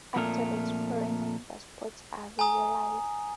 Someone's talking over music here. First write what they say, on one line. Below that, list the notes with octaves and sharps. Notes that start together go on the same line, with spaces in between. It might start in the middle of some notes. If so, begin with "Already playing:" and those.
After the experiment, the spots are visualized.
F2 A#2 A3 A#4
G#5 A#5 D#6